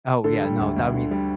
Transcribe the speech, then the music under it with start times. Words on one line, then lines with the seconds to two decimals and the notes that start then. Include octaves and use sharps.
Oh, yeah, no, that mean
0.24 D3 A4
0.41 G3
0.59 D2
0.76 D2
0.94 D3
1.11 G3